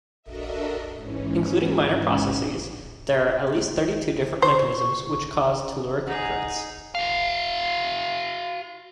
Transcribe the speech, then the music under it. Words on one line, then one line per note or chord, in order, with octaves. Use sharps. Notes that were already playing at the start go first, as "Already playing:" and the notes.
Including minor processes, there are at least thirty-two different mechanisms which cause telluric currents.
D4 F#4 A4 A#4 D#5 E5
G#2 E3 C#4
C5 C#6
D#4 G#4 F#5
F#4 F5